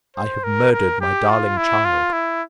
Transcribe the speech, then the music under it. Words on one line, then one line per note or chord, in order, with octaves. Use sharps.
I have murdered my darling child!'
C5
A#4
A#4
G4
F4
E4
F4
E4